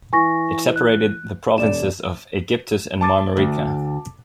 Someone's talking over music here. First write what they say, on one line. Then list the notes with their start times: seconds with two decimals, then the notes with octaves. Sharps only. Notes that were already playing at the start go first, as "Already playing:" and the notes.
It separated the provinces of Aegyptus and Marmarica.
0.13 E3 G#5 C#6 A#6
0.76 F#6
1.58 E1 D5 E7
3.01 A5 D6 A6
3.37 D2